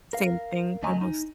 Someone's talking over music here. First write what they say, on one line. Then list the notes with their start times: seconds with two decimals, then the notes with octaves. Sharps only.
same thing almost
0.13 A#4 F5
0.83 D2 C#3 A3 D#5 G#5 A#5
1.01 D#4